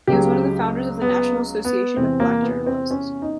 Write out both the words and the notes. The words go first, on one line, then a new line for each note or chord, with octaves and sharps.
He was one of the founders of the National Association of Black Journalists.
C#2 C#3 F#3 G4
B3
B3
E2 C3 E3 C4
A#3
B3
C4
C#4
D#4